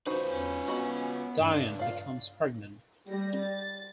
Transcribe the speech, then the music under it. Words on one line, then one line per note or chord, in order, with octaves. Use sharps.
Diane becomes pregnant.
D#4 F4 F#4 B4 C5
E2 C#4
B3 F#4 D#5 B5
C#2 G2 D4
F4 D5 F5
G3 A#6
A6